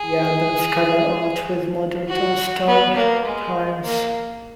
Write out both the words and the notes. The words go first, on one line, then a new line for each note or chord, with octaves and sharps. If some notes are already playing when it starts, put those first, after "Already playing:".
The album's cover art was modeled on "Star Time"'s.
Already playing: G#4
F#4
B3
A#3
G#3
A#3